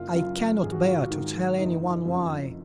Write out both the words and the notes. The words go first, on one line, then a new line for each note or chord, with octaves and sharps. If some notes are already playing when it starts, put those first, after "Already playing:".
I cannot bear to tell any one why.
Already playing: F#1 F4
F#2 C#3 F4
G#1 G#4
F#4
F4
F#4
G#2 D#3
F#1 D#4
F2 C#3